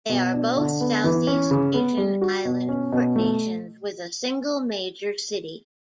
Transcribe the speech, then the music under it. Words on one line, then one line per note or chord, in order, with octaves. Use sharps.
They are both Southeast Asian island port nations with a single major city.
B2
D4
D3
B3
E3
C#4
C#3
B3
G3
F#4
B2
C#4
B2
A3